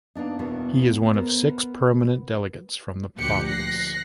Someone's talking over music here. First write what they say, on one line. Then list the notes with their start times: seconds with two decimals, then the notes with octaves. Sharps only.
He is one of six permanent delegates from the province.
0.15 A#3 B3 D4 D#4
0.39 E2 B2 E3 A#3 B3
1.14 B3 A#4 C5
3.18 D2 A#2 F3 G4 F#6 C#7
3.49 F#6 A#6 C7